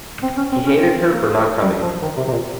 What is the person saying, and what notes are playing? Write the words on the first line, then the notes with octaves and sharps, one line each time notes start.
He hated her for not coming.
C4
C#4
C4
C#4
C4
A#3
G3
F3
D#3
C3
C3
A#2